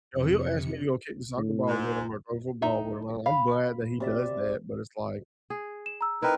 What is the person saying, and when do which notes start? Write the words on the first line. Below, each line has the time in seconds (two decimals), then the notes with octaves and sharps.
you know, he'll ask me to go kick the soccer ball with him or throw a football with him, and I'm glad that he does that, but it's like,
0.12 F2 C3 C#7
1.37 A2
1.67 G#2
2.62 D#4 E5
3.26 F5 B5
4.00 C3 D5 E5
5.50 G#4
5.86 E7
6.01 A#5 E6
6.22 C4 D#4 E4 A#4 B4